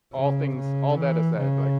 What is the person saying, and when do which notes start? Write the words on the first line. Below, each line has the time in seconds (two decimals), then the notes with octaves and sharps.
all things all that aside, like,
0.13 C#3
0.55 C#3
0.95 E3
1.37 C#3